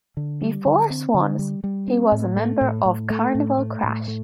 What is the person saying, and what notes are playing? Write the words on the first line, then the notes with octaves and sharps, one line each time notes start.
Before Swans, he was a member of Carnival Crash.
D3
G3
D3
C4
D3
G3
G3
C4
A2
A3
A2
A2
A3
A2
A3
A2
A3